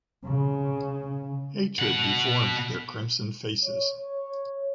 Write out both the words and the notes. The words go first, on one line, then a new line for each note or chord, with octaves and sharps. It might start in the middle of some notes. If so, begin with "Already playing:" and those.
Hatred deformed their crimson faces.
C#3
B2 F#5
C#5